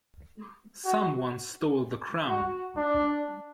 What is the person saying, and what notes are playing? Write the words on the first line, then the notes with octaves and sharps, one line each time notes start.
Someone stole the crown!
F#4
F#4
D4